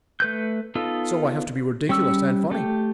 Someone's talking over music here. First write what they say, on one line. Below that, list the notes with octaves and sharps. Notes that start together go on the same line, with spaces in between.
So I have to be ridiculous and funny.
A3 B4 G6
B3 D#4 F4 A4
G3 C#4 C#6 E6
A3 G4